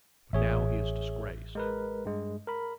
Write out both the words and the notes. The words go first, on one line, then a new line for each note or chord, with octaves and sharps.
But now he is disgraced.
A1 G#4 C#5 E5
G#3 A#4 B4
G2 G#3
A#4 B5